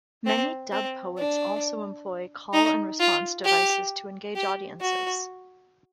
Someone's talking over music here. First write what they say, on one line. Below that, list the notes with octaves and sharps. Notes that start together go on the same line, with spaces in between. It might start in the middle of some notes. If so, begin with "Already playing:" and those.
Many dub poets also employ call-and-response devices to engage audiences.
C4
C4
D4
D#4
F4
G4
G4
F#4